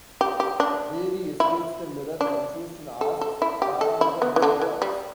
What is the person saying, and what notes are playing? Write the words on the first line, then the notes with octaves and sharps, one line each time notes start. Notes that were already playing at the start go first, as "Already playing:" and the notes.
Barry escapes the mirror confused and asks, Where are the Mirror Lords?
G4
G4
D4
E4
D4
A4
A4
E4
G4
A4
E4
B3
E3
D3
E3
G3